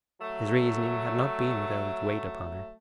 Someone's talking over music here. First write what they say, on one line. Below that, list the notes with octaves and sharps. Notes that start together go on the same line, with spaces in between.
His reasoning had not been without its weight upon her.
F#3 A3